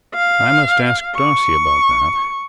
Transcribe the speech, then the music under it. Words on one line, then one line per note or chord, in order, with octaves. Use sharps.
I must ask Darcy about that.
F5
C#6